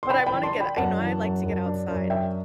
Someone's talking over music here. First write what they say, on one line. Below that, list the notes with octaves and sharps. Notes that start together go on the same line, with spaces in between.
but I wanna get you know, I like to get outside,
C6
D4 G5 B5
G5 B5
E3
A5 C6
D4
G5 B5
F#2 F#5 A5
E3
F#2
F#2
D4
F#2
D4 E5 G5